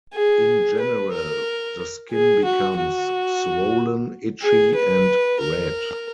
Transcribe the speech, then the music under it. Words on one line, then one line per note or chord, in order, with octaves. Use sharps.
In general, the skin becomes swollen, itchy and red.
G#4
B4
A#4
G#4
F#4
F#4
G#4
B4
A#4